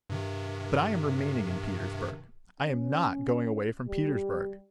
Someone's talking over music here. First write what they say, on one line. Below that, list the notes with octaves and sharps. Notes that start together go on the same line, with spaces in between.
But I am remaining in Petersburg; I am not going away from Petersburg!
G2 C3 D#3
C#4
G3